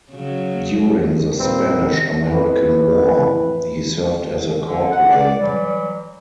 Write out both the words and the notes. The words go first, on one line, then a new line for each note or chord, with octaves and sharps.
During the Spanish-American War, he served as a corporal.
C#3 F#3
D#2 A#2 G3 C4 D#4 B4
F2 A2 E3 B4
D3
F#5
D5
E3 F#3 G3